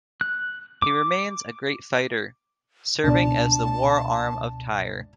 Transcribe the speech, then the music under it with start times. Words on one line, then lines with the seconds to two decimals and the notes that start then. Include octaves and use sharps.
He remains a great fighter, serving as the war arm of Tyr.
0.21 F#6
0.82 D6
3.04 C#2 B2 D4 D5 A5